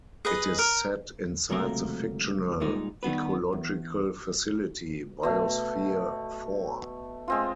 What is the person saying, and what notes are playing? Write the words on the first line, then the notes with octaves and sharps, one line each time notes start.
It is set inside the fictional ecological facility, Biosphere Four.
G#4 B4 D#5
A#4
C#2 C3 F#3 A3 A#3 A#4
A#2 G3 G#3 D#4
D#3 G3 B3 B4
E2
B2 A3
G#3 C4 F4